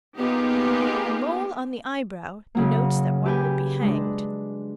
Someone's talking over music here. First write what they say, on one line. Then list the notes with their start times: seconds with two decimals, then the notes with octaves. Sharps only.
A mole on the eyebrow denotes that one will be hanged.
0.18 A#3 B3 D#4 F4 G4 G#4
2.55 C#3 F#3 A#3
3.26 G4 B4 G5 G#5
3.82 G#3 D4